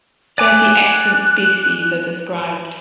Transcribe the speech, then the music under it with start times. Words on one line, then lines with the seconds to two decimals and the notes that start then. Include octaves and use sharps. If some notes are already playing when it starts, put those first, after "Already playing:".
Thirty extant species are described.
0.38 D5 G#5 D6 F#6